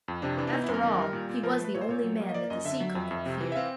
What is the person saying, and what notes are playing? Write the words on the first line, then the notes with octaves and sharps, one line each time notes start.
After all, he was the only man that the Sea-Cook had feared.
F2
C3 D4
E3 D4
D4
B3 D#4
E4
F#2
A#4
D#3
G3
A#2
A#2
F3 A#4
B4
A3
B4
A#2 C#5
C5
A#2 C#5
F#3
A#3
D#5
A#3 D5
F#2 D#5
D3 E5
F#3
F2
F2
C3
E3
E5
C4 F5